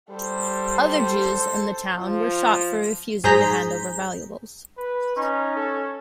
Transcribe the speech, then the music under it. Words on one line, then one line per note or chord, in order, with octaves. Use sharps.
Other Jews in the town were shot for refusing to hand over valuables.
G3 A4 C5
F3
G#2 G#4 C5 A#5 G6 B6
B4
C#4 D#4
A4